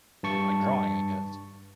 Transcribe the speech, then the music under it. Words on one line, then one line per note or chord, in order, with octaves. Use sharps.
Like, drawing, I guess.
G2 A5 C#6